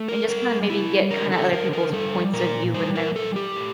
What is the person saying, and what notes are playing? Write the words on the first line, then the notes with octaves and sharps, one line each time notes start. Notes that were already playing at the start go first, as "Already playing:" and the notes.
and just kind of maybe get kinda other people's points of view when they're
Already playing: A3
A#4
G3 A#4
G3 E4
D3 A#4
A4
D3 A#4
A#4
G3 A4
A#2 A#4
G3 C5
A#4
G3 A4
G4
A2